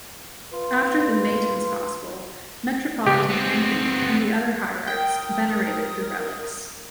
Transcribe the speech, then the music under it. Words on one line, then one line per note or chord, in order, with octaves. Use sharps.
After the Matins Gospel, Metropolitan Anthony and the other hierarchs venerated the relics.
F4 B4
C#2 G4
B3 C4
A#4 G5 D#6